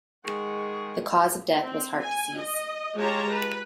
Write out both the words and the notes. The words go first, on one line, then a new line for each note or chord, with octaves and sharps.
The cause of death was heart disease.
D#3 G#3 G#4 F#5 C#6
C4
G#5
D#5
G#3 F4 G4 C#5 A5 A#5
B4